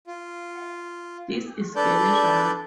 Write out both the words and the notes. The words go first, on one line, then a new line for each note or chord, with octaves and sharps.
This is very rare.
F4
D4 A4 B4 D5 G6